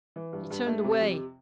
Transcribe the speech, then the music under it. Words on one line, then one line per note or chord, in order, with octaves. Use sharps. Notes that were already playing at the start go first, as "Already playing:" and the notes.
He turned away.
E3
G2
G2
A3
C3
F2